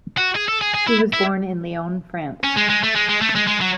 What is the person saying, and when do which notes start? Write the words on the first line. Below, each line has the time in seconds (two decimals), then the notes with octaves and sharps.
He was born in Lyon, France.
0.18 F#4
0.35 G#4
0.48 A4
0.61 G#4
0.74 G#4
0.87 E4
1.13 E4
2.44 C#4
2.57 G#3
2.69 G#3
2.83 A3
2.95 G#3
3.09 G#3
3.22 A3
3.36 G#3
3.48 G#3
3.61 F#3